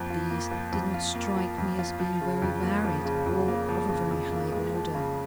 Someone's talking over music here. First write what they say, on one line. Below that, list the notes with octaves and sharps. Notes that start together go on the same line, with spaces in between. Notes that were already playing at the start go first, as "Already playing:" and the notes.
These did not strike me as being very varied or of a very high order.
Already playing: F2 F3 A#3
F4
A#3
F3
F2
F4
A#3
F3
F2
F4
F3
C#3
F2
A#3
F3
C#3
F2
A#3
F3
C#3
F2
A#3
G#3
F3
C#3